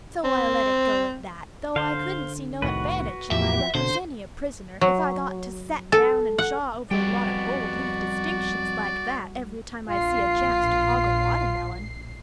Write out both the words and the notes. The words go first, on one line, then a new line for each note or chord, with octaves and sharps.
So I let it go at that, though I couldn't see no advantage in my representing a prisoner if I got to set down and chaw over a lot of gold-leaf distinctions like that every time I see a chance to hog a watermelon.
C4
D3 C5 F5
C2 A2 D#3 F#4 B4
E2 A2 F3 G4 E5
B2 D3 C5
F#3
A4
F#5
F2 G3 B3 F#4 D5 G5
A#1 F4 C7